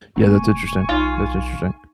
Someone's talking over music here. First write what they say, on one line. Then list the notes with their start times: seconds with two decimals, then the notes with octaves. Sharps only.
Yeah, that's interesting. That's interesting.
0.16 E1 A3 B3 D4 G#5 C#6
0.89 B1 D#4 F4